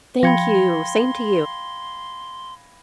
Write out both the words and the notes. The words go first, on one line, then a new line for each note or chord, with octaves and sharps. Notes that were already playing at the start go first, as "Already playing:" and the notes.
Thank you, same to you.
F3 F5 G5 B5 C6 G#6 A#6 C#7